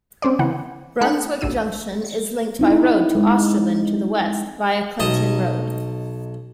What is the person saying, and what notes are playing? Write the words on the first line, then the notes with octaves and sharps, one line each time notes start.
Brunswick Junction is linked by road to Australind to the west via Clifton Road.
C4 C#4 C5 D5
C#3 E3 B3 F#5
A3 D#4 A4 B5 F#6 C#7
A1 A2 D4 E6 D#7
C4 D#4 E4
G#3
B1 D#5 A5 A#5